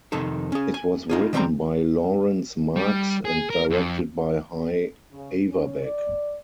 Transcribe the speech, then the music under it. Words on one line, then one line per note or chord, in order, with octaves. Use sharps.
It was written by Laurence Marks and directed by Hy Averback.
F2 C3 D#3 D#4 A4
C#4 G#4
G#5
D#4 F4 G#4
D#3 G3 C4 B4 G5 A#5
G3
G#4
A#4
F2
C#3
C#4
D5